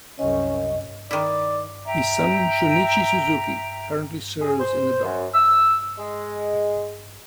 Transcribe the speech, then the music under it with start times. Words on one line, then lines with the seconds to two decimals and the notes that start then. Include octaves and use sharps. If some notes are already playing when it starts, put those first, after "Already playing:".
His son Shun'ichi Suzuki currently serves in the Diet.
0.19 C2 F#2 C#4 D#5
1.11 D#3 E4 D5
1.84 E5 G5 A#5
4.41 G#4
4.60 C5
5.04 F#2
5.34 E6
5.98 G#3